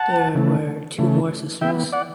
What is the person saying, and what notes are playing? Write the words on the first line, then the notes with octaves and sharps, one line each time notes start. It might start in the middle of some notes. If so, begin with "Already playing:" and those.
There were two more sisters.
Already playing: F#5 A5
C#3 E3 A3
C#3 E3 A3
E3 B3 E5 G5
D5 F#5